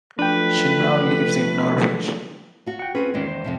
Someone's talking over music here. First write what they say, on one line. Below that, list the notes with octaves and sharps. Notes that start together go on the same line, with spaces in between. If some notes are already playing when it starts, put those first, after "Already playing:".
She now lives in Norwich.
F3 F#3 A3 D4 B4 G5
F4 F#4
F#5 G5
C4 C#4 F4 G#4 B4
E2 D#3 G#3 A#3 C#4
C5
F2 C3 F3